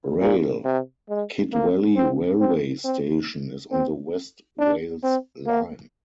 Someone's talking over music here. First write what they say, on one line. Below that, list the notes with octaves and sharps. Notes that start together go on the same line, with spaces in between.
Rail - Kidwelly railway station is on the West Wales Line.
A#2
C3
G#3
A#3
C4
C4
C4
C4
D4
C4
A#3